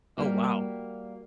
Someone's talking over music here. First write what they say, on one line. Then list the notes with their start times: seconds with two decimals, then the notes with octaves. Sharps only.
Oh, wow.
0.17 G3 A#3 F#4